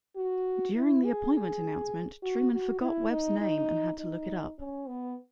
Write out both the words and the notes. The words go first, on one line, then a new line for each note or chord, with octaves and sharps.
During the appointment announcement, Truman forgot Webb's name and had to look it up.
F#4
E4
G#4
G#4
F#4
F#4
E4
D#4
D#4
D#4
C#4
B3